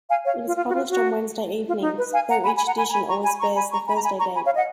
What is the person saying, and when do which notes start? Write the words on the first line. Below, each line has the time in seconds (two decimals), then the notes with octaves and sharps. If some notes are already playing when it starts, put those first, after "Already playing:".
It is published on Wednesday evenings, though each edition always bears the Thursday date.
0.09 F5 G#5
0.24 C#5 F5
0.46 F4
0.56 F4
0.68 F#4
0.72 F4
0.88 F#4
1.67 F4
1.82 D#4
1.97 B4
2.13 F5 G#5
2.29 F#5 A#5
2.45 G#5 B5
2.55 G#5 B5
2.67 F#5 A#5
2.77 G#5 B5
2.88 A#5
2.92 G#5 B5
3.08 A#5 C#6
3.24 G#5 B5
3.39 A#5 C#6
3.56 G#5 B5
3.72 A#5 C#6
3.87 G#5 B5
3.95 A#5
4.03 G#5 B5
4.18 A#5 C#6
4.34 G#5 B5
4.44 C#5 F5
4.55 D#5 F#5